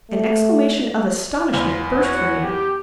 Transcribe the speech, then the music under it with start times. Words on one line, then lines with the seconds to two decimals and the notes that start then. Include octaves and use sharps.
An exclamation of astonishment burst from me.
0.10 A3
1.54 E2 F4
1.97 F#4 C#5 F#5
2.42 G4